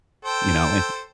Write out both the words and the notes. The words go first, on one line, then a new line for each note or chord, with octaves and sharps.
you know, an
A4 C5 G5